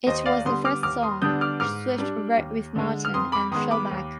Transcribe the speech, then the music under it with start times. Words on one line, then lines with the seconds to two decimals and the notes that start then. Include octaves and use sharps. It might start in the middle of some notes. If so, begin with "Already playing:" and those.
It was the first song Swift wrote with Martin and Shellback.
0.06 D#2 C5 D#5
0.26 D5 F5
0.45 D3 G3 B3 C6 D#6
0.65 D6 F6
0.83 D#2 D6 F6
1.02 C6 D#6
1.22 D3 G3 B3 D4 D#6 G6
1.41 D6 F6
1.60 G#2 D6 F6
1.99 G3 D4
2.37 D#2
2.76 D3 G#3
3.05 F6
3.14 F2 C6 D#6
3.32 B5 D6
3.51 D#3 G#3 B3 C6 D#6
3.71 B5 D6
3.91 D#2